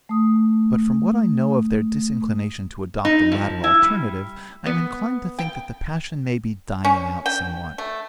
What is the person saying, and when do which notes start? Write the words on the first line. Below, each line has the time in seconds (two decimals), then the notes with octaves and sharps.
But from what I know of their disinclination to adopt the latter alternative, I am inclined to think that the passion may be dying out somewhat.
0.09 A3 D#6
3.05 D#4
3.32 F3
3.64 E4
3.82 G3
4.66 B3
5.39 G5
6.85 C#4
7.26 G5
7.78 A3